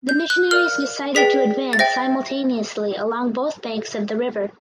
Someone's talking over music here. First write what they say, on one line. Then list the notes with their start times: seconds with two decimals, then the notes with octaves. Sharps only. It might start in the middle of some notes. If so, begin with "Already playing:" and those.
The missionaries decided to advance simultaneously along both banks of the river.
0.09 G6
0.30 F#6
0.51 A#4 D5 F5 F6
1.15 G#4 B4 D5 G5 B6
1.73 A6
1.79 C5 E5 G5 A#6